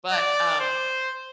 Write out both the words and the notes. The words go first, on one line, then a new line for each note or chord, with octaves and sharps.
But, um,
D5
C5